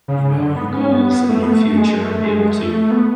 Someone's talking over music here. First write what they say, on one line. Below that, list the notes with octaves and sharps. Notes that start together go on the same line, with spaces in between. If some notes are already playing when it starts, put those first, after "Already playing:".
you know, your goals and your future, and be able to
C#3
D3
B3
C#4
B3
B3
A3
B3
A3
G#3
G#3
A3
G#3
A3
A3
B3